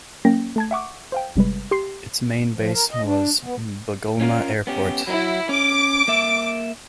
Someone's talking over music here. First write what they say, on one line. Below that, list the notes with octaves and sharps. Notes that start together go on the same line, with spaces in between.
Its main base was Bugulma Airport.
F#3 A#3 C#4 G5 A#6
A3 A5 G#6
E5 F#5 C#6 D6
C5 F5 G5
G1 C3 G3 G#3 B4
G4 C6 C7
F3
A#4
D#5
D4
B3
C#4 F4 A#4
B3 C#4 G4
F#3 E4
C#4 D6
A#3 E5